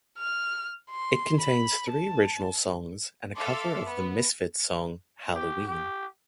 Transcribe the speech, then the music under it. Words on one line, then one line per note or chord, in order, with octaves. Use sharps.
It contains three original songs and a cover of the Misfits song "Halloween".
F6
C6
B5
A5
A4 E5 F5 C6 D6
B3
G4
G4